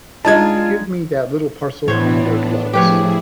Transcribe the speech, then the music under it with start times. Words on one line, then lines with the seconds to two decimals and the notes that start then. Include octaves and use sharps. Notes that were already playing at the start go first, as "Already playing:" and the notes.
Give me that little parcel and your gloves.
0.25 G#3 D4 D#4 F4 A5 G#6
1.88 A2 E3 B3 D4 C5 C#5
2.73 F3 A3 E4 G4 G#4 B4 C#5